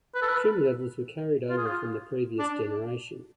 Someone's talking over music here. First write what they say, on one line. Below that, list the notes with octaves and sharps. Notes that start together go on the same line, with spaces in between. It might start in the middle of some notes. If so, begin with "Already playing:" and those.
Trim levels were carried over from the previous generation.
B4
A4
B4
F4
G#4
F4
D4